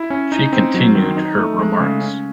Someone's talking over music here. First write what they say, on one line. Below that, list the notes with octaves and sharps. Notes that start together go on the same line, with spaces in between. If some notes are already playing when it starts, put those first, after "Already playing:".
She continued her remarks.
Already playing: E4
C#4
D#4
C4
F#3
D#3
D#4
A3
G#3
C#3
C#4